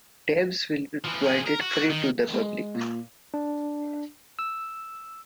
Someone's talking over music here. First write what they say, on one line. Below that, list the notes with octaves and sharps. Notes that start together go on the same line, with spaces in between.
Tabs will be provided free to the public.
E3 F3
F3 G#4
A#4
F#4
D#3
G#3
A#2
D4
E6